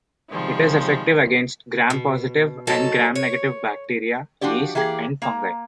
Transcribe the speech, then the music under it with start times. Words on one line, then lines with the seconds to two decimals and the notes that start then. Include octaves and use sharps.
It is effective against gram-positive and gram-negative bacteria, yeast, and fungi.
0.30 C3 D#3 F3 G3 G#3
1.90 B2
2.67 G#2 F#3 A4 A5
3.15 C#5
4.41 F3 D4 F#4 G4 D5
4.75 E3 A#3 G4 G#4
5.22 A#3 A#5